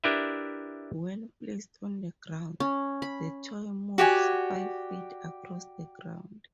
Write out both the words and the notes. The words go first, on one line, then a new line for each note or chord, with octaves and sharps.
When placed on the ground, the toy moves five feet across the ground.
D4 E4 G4 A#4 B4 E5
C#4
B5
F#4 G4 D5 G#5